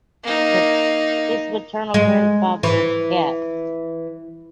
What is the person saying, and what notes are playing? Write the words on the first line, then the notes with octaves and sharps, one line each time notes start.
His maternal grandfather was Capt.
A#3 D#4
G#3
E3